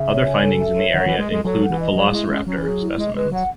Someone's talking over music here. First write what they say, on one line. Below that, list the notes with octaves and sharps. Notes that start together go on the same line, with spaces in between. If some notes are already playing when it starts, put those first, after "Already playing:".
Other findings in the area include “Velociraptor” specimens.
Already playing: C#3 E5
C#5
G#5
A4
E5
C#5
D#3 F#5
F#3
E3
D#5
G#3
A4
G#3
F#3 A4
F#5
E3
D#5
F#3 G#4
G#3 E4
G#3 C#4
F#3 C#4
E3
F#3 G#4
E4
G#3 D#5
G#3 B4
F#3 F#5